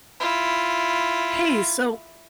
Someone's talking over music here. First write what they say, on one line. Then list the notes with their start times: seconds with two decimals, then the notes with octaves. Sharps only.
Hey, so,
0.20 E4 F4